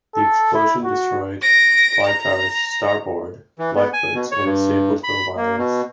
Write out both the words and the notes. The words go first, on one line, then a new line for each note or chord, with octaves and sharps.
The explosion destroyed "Blitar"s starboard lifeboats and disabled her wireless.
A4
E4
F#4
A#6 D7
A#5
E3
B3
G#5
B2
C#5
G2
B5
A#3
B2